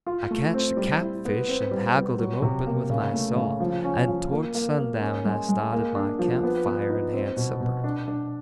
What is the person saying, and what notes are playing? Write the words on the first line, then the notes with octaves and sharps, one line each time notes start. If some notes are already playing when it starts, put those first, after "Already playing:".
I catched a catfish and haggled him open with my saw, and towards sundown I started my camp fire and had supper.
F4
A3
C4
G3
E4
B3
C4
G3
G3
F#3
C3
A#3
C#3
A3
C#3
F3
C#4
F3
A#3
A#3
A#3
C#4
G#3
G#3
A#3
D4
F3
B3
B3
D#4
C4
B2
B2
D4
D4